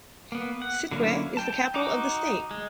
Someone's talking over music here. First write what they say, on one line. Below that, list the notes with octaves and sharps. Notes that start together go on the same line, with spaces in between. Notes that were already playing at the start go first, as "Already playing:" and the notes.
Sittwe is the capital of the state.
A#3 B3
F#5
D3 F#3 A#3 C#4 E4
G5 A5
D#4 F#4 A#5 D6
G#3